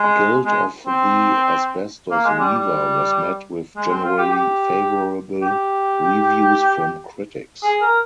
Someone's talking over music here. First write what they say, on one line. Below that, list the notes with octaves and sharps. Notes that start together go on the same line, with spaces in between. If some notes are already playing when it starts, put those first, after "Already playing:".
Guild of the Asbestos Weaver was met with generally favorable reviews from critics.
Already playing: G#3
G#3
C4
A#3
G#3
G3
G3
G#3
C4
F4
G4
G4
G4
G#4
A#4